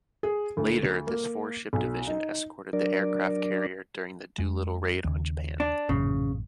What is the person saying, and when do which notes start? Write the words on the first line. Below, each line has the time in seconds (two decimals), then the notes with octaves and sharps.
Later, this four-ship division escorted the aircraft carrier during the Doolittle Raid on Japan.
0.23 G#4
0.57 D2
1.07 A#3
1.73 B1
2.07 D#4
2.73 F#3 D4 A#4 D5
4.38 F2 G#3
5.05 D#2 C#3
5.60 D4
5.89 A1 F#2 A#2 C#3